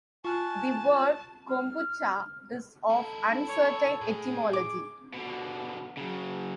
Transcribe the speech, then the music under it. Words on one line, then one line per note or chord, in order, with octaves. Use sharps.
The word "kombucha" is of uncertain etymology.
F4 G#5 A5 C#6 F6 F#6
F6
D#4 E4 A4
C#5
A2 G#4
D6
B2 D3
C#3 F#3